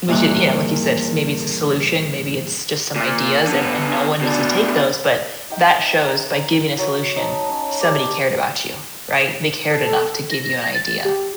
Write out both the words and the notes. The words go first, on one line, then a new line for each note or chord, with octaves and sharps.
which it you know, like you said, maybe it's a solution, maybe it's just some ideas and and no one needs to take those, but that shows by giving a solution, somebody cared about you, right? They cared enough to give you an idea.
E2 G2 A#2 D#4 F#6
A#2
D3 B3
B2 D4
D#4 E5 G5
A#4 C6
F#3
D#4 A5
C#4
G4 D5
A4
A#6
A6
G4